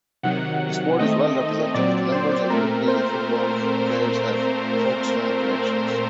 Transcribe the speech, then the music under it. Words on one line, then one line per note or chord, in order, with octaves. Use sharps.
Sport is well represented: numbers of cricketers and football players have Folkestone connections.
C3 D#3 F#3 F#5
D#3 A3 C4 D#5
D#5
A#2 F#3 C4 D5
C5
A#2 A3 C4 A#4
C5